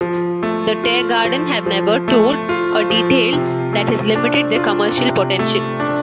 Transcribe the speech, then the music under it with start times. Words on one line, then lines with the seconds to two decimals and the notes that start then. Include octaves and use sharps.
The Tear Garden have never toured, a detail that has limited their commercial potential.
0.01 F3
0.43 A3
0.84 F4
1.25 F3
1.66 F3
2.08 A3
2.49 F4
2.90 F3
3.33 C3
3.73 A3
4.15 D4
4.56 F4
4.97 C3
5.39 A3
5.80 D4